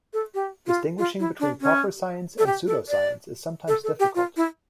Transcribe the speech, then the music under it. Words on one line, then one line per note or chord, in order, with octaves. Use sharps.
Distinguishing between proper science and pseudoscience is sometimes difficult.
A4
G4
F4
F4
E4
D4
C#4
A4
G4
A4
D5
A4
A4
G4
F4
E4